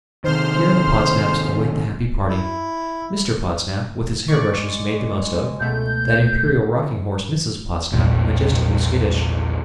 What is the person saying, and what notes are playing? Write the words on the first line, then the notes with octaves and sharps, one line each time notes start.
Here, the Podsnaps await the happy party; Mr Podsnap, with his hair-brushes made the most of; that imperial rocking-horse, Mrs Podsnap, majestically skittish.
C3 D#3 C5 C6 F6
E4
G#3 D5 C#6
C#2 B2 A3 G6
A#1 E2 A#2